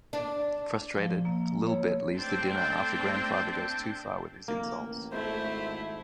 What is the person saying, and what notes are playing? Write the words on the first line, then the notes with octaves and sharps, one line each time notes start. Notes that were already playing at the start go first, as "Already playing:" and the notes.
Frustrated, Li'l Bit leaves the dinner after Grandfather goes too far with his insults.
D4
F3
A#3
C#5
A3 C4 D4 C5 G5 A5
F1 A#3
A1
G#1 A3 E4 C5